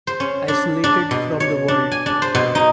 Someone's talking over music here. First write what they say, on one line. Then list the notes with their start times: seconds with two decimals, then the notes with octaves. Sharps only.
"Isolated From The World".
0.07 C5
0.20 C#4
0.48 D4
0.84 D4
1.11 B2
1.40 C#5
1.68 D4
1.92 G#5
2.06 D4
2.22 C5
2.35 B2
2.55 D#4